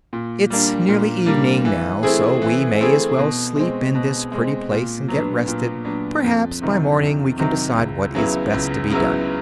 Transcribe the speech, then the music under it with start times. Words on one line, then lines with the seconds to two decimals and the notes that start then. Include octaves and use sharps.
"It's nearly evening, now; so we may as well sleep in this pretty place and get rested; perhaps by morning we can decide what is best to be done."
0.13 A#2
0.50 G3 A#3 D4
0.89 A#2
1.26 G3 A#3 D4
1.65 E3
2.03 A3 C4 E4 G#4
2.42 E3
2.80 A3 C4 E4 G#4
3.18 B2
3.56 G#3 C4
3.95 B2
4.32 G#3 C4
4.71 A#2
5.08 F#3 B3 D4
5.48 A#2
5.85 F#3 B3 D4
6.24 F2
6.62 C3 D#3 F#3
7.00 F2
7.38 C3 D#3 F#3
7.76 C#2
8.15 C#3 F#3 B3 E4
8.53 C#2
8.90 C#3 F#3 B3 E4